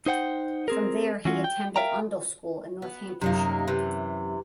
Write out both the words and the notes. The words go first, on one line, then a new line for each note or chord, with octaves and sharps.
From there he attended Oundle School in Northamptonshire.
D#4 C5 F#5 G5
C4 G#4 A#4
E3 C#4 F4 F#4
G5
A#4 E5 F5 G5 A#5
B3
F#2 C3 D#3 A#3
C3 E3